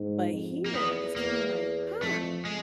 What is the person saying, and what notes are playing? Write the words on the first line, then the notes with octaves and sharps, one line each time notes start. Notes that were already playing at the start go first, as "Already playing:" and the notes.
but here it's kinda, like, "Huh,
Already playing: G#2
F2
A#3
E2 B3
E2 A#3
F2 A3
G#3